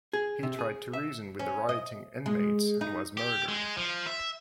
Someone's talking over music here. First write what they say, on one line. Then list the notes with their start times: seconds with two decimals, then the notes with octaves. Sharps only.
He tried to reason with the rioting inmates and was murdered.
0.13 G#4
0.43 C3
0.59 G#4
0.93 E5
1.39 C#4
1.69 D#5
2.26 G#3
2.81 D#4
3.17 G4
3.48 G#3
3.77 F3
4.07 E5